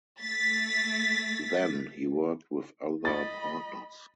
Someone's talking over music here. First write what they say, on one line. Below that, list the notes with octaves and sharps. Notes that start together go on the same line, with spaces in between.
Then, he worked with other partners.
A3 A6 B6
D#5 B5 A6